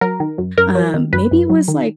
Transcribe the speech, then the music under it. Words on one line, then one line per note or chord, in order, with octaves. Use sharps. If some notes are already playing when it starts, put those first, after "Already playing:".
Um, maybe it was, like,
F#3 A#4
D#3
F#2
F#2 A#4
F#3
D#3
F#2 B4
F#2
F#3
D#3